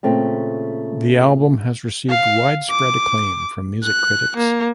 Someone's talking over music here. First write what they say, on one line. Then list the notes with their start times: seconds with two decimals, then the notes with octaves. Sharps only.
The album has received widespread acclaim from music critics.
0.03 A#2 C#3 A3 C4
2.09 F5
2.70 D6
3.83 F#6
4.36 A#3